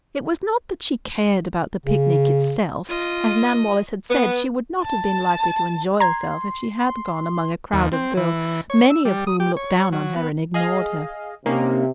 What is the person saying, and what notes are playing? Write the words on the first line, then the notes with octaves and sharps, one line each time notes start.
It was not that she cared about the picnic itself: as Nan Wallace had said, she would not have been likely to enjoy herself if she had gone among a crowd of girls many of whom looked down on her and ignored her.
C#3
F4 D#5
B3
A5
A#5 C6 G#6
D#2
C4
E3
C#5
E6
G3
D#6
G4
C#5
F#3
B3
G#4 D#5 F5
C3 A#3 C#4 D#4